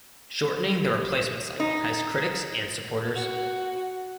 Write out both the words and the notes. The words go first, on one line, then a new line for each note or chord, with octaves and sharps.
Shortening the replacement cycle has critics and supporters.
D#4
F#4